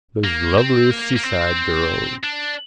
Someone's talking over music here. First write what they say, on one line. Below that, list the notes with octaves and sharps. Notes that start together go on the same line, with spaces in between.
Those lovely seaside girls.
A#3
C4
A#3
A#3
C4
D4